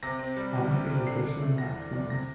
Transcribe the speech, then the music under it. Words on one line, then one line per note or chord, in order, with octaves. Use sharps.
Ulm is officially not twinned.
C3 A#6
C4
G3
C2
C3
C4
D3 C7
D4
A3
E2 A#6
D3
D4
C3 A#6